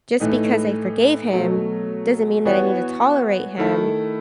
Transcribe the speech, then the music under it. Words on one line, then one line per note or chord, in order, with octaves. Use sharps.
just because I forgave him doesn't mean that I need to tolerate him
A2 E3 A3 D#4
B2 F#3 A3
E3 B3 F#4 C#5
D#3 A3 E4 A4